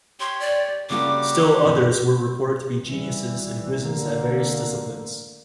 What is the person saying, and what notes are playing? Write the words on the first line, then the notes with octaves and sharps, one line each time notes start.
Still others were reported to be "geniuses" and "whizzes" at various disciplines.
G4 C#5 G5 C6
D5
C#3 G3 A#3 D4 F#4 G4 D6
G2 B2
E3 G3
D3 A#3